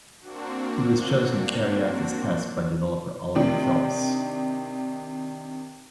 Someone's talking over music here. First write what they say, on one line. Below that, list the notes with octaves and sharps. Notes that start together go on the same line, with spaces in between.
He was chosen to carry out this task by developer Oliver Phelps.
A#3 C4 D4 F#4
C3 D#3 D4